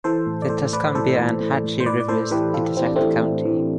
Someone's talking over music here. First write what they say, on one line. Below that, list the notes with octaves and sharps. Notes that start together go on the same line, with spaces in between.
The Tuscumbia and Hatchie rivers intersect the county.
E3 A4 C5
A2
D5
A2 A4 C5
A2 B4 D5
A2 A4 C5
A2
A2
A2
C5
A2 B4 D5
D5
A2 A4 C5
E3 G4 B4
E3 F4 A4
E3 C4
D4
E3 A3 C4
A2
E3